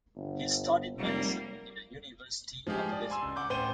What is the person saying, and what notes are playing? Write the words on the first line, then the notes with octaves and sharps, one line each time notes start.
He studied Medicine in the University of Lisbon.
G1
F1 G3 A#3
F3 G#3 F4 G4 G#4
D5
G#5 C6 E6
C#2
F#5 D6 G6
A1 A3 C5 G5 D#7 G7